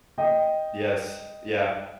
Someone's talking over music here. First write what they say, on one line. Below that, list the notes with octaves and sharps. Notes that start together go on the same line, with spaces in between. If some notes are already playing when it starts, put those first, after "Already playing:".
Yes, yeah.
D#5 G5